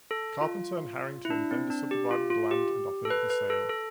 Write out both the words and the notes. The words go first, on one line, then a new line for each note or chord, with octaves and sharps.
Carpenter and Harrington then subdivided the land, and offered it for sale.
A4
F4
E4
D4
C4
D4
G4
F4
F4
G4
A4
B4
B4
A4
A4